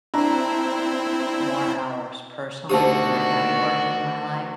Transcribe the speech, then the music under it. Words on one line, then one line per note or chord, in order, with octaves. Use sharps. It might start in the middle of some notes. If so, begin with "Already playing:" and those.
more hours personally than I have worked in my life,
C4 D4 E4 A#5
D2 D#3 D4 F#4 G4 C5 A5 D#6